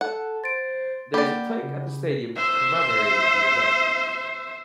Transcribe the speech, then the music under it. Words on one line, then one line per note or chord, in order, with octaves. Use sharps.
There is a plaque at the stadium commemorating the event.
A4 F#5
C5 A6 D7
A#3 G4 D5 F#5 B5
C#3
C5 E5